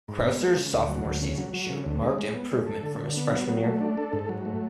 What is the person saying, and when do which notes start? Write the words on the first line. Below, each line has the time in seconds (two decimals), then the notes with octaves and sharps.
Krauser's sophomore season showed marked improvement from his freshman year.
0.08 G#2
0.24 B3
0.40 G#3
0.57 C#3
0.73 D2
0.89 F#3
1.05 D2
1.22 C#3
1.38 F#3
1.53 F#3
1.70 C#3
1.86 D2
2.02 G#3
2.18 G#3
2.35 B3
2.52 G#3
2.67 A4
2.83 D3
3.00 D3
3.16 B3
3.32 F#3
3.48 F#3
3.64 A3
3.81 D4
3.97 A4
4.13 G#2
4.29 F#3
4.45 A3